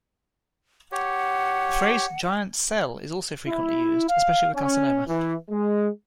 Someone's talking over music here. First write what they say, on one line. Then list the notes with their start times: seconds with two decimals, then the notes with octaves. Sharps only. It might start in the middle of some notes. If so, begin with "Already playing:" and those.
The phrase giant cell is also frequently used, especially with carcinoma.
0.92 G4 C#5 F#5
3.47 E4
4.09 F5
4.54 C#4
5.07 E3
5.50 G#3